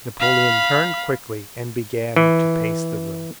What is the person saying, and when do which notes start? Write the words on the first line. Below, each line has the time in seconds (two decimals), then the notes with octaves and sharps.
Napoleon turned quickly and began to pace the room.
0.20 F5 B5
2.16 E3